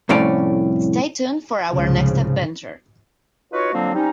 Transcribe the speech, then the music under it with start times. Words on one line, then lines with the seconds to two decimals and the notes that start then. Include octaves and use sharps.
Stay tuned for our next adventure.
0.09 C2 F2 A2 C#4 D5
1.70 C2 G#2 C#3 F3
3.52 D#4 F4 F#4 B4 C#5
3.73 D3 F3 F#3 A#3 C4 D4
3.95 G3 C4 C#4 D#4